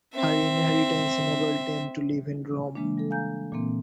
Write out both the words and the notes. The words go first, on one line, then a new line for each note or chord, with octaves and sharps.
Her inheritance enabled them to live in Rome.
C4 E5
C#3 E3 G#3 A#3 D4
G3 A4
F5 G#5 A#5 G6
A#2 E3 A#3 C4